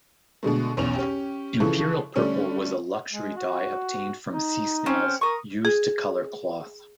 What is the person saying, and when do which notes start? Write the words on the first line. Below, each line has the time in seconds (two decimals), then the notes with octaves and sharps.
Imperial purple was a luxury dye obtained from sea snails, used to colour cloth.
0.43 B2 D3 G#3 A3
0.77 B1 E2 C#4 F7
0.95 C#4 G4
1.60 C#3 E3 F3 A4 C#6
2.16 D3 G3 A3 C#4 D4
3.12 G#3
3.36 F#4
4.32 D#4
4.86 C4 C#4
5.21 A#4 C#6 D#6
5.65 G#4